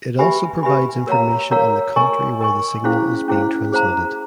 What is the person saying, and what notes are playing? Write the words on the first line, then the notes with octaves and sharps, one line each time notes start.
It also provides information on the country where the signal is being transmitted.
G4 B4 E5 G#5 B5
G4 B4 E5 G#5 B5
A#4 C#5 F5 A#5
A#4 C#5 F5 A#5
A#4 D#5 G#5 C#6
A#4 D#5 G#5 C#6
C#4 E4 G#4 C5 F5
C#4 E4 G#4 C5 F5
G#4 C5 F5 A#5